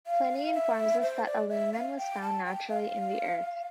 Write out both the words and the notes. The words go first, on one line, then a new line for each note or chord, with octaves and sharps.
Pliny informs us that 'alumen' was found naturally in the earth.
F5
E5
C5
D5
E5
F5
G5
A5
G5
F5